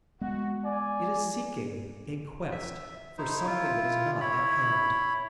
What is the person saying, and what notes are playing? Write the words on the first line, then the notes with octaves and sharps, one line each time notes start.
It is seeking, a quest, for something that is not at hand.
G#3 B3 F#4
D5 G#5
E5
D#4 E4 C5
E4 F4
E4 C#5 B5